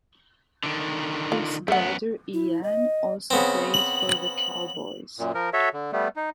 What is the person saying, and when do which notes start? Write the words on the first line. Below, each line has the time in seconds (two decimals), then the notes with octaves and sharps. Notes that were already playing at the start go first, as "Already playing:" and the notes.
His brother, Ian, also played for the Cowboys.
0.64 D3 D#3
1.32 F4
1.68 F#2 A3 B3 F#5
2.34 E4
2.63 D#5
3.31 C#3 B3 C4
3.74 F#7
5.19 F#2 A#2
5.34 F3 A#4
5.53 F#4 A4 C#5 E5
5.73 D3
5.93 G3 A3 B3
6.16 D#4